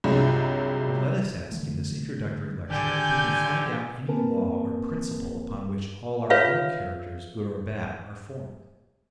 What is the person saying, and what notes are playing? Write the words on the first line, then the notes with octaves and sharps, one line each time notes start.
But let us ask in this introductory lecture if we can find out any law or principle upon which all our own characters, good or bad, are formed.
C2 G2 C3 F3 F#3 G#3
D3 E3 A3
A2 D3 D#3 G4 D5 G#5 G6
A#3 C4 A#4 B4 G#5 A5
F4 B4 C#5 E5 F5